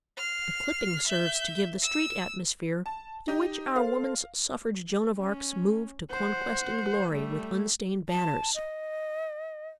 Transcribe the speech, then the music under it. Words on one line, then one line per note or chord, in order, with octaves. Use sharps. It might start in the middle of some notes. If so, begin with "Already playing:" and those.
The clipping serves to give the street-atmosphere through which our Woman's Suffrage Joan of Arcs move to conquest and glory with unstained banners.
F6 C7
E5 G6
E6
A5
D#4 G4
A4 C5 F5
C#4
C5 F#5
G3 A3
A5
D#5